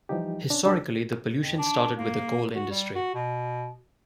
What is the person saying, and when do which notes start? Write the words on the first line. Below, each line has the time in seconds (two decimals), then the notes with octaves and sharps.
Historically, the pollution started with the coal industry.
0.09 E3 F3 G3 D#4 G4
0.50 C#4 D4
0.65 C2 F3 F#3 G#3 D4 E6
1.40 F2
1.58 D4
1.97 A#3
2.55 F#4
2.71 G3
2.95 F#4
3.14 B2